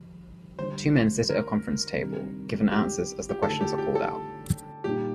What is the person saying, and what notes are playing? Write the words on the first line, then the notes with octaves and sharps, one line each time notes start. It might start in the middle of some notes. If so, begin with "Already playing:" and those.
Two men sit at table at a conference given answers as the questions are called out.
Already playing: F3
D3 G3 D4 C5
A#4
C3 D#3 G3 D4
G4
G4
D3 A3 D#4 A4
G4
G4
A4
A#2 G3 A#3 D#4 G4